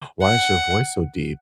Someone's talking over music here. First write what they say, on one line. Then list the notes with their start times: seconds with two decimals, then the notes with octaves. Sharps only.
"Why is your voice so deep?"
0.23 F#5